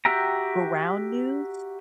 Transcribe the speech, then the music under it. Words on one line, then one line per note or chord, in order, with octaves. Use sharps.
Ground News?
F#4 G4 E5 G5 A#5